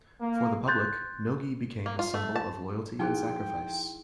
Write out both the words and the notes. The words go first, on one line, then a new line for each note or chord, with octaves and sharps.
For the public, Nogi became a symbol of loyalty and sacrifice.
A#3
C6 F#6 G6 A6
A#3
F4
A3
A5
F3 D#4 E4 G#4 C5 G5 C6